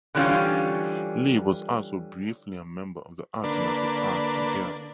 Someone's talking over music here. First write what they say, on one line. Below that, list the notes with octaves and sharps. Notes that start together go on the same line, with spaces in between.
Lee was also briefly a member of the alternative act Gerling.
D3 E3 G3 C#4 F4
D3 A#3 D4 B4